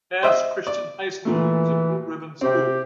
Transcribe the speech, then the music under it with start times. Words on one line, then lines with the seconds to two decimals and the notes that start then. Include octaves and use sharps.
Pass Christian High School is a Blue Ribbon school.
0.23 C5 D#5 E5
0.67 D5
1.25 A#2 E3 A3
2.41 C3 C4 G4